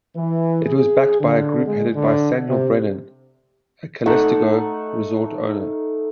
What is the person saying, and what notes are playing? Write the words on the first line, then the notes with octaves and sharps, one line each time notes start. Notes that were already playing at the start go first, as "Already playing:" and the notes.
It was backed by a group headed by Samuel Brannan, a Calistoga resort owner.
E3
G#4
D3
G#3
D3
C3
A3 D#4 F#5